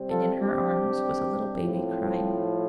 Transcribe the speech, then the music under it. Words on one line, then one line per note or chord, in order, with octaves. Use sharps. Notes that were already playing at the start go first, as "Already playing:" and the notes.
And in her arms was a little baby crying.
Already playing: C3 G3 C4
F4 A4
D4 G4
A2 F3 C4